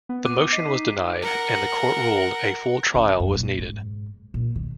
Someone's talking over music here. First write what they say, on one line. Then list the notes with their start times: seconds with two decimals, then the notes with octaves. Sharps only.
The motion was denied, and the court ruled a full trial was needed.
0.09 B3
0.25 D6 F#6 D#7
0.52 D#4 B6 C7
1.22 A#4 F#5
2.95 C#3
3.20 F#2
3.34 A#2
3.59 G#2
4.34 A#2
4.56 D#3